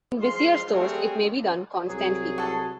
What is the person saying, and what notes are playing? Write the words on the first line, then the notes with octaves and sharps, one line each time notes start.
In busier stores it may be done constantly.
F3 G#3 F5 C6
G3 A3 C4 C#4 F#4 G#4
C2 F#3 G#4
F#4 A4